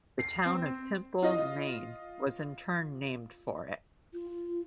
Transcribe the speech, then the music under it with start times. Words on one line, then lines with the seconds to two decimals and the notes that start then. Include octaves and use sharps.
The town of Temple, Maine was in turn named for it.
0.19 C7
0.46 C4
1.22 F4 D#5
4.14 F4